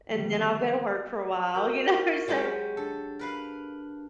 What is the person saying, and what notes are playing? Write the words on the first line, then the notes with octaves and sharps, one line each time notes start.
and then I'll go to work for a while, you know, so
D3 D#3 F3 G3 B3
F#4 G4 A#4
F#3 G#3 G4
D4 A4
A#4 B4 F5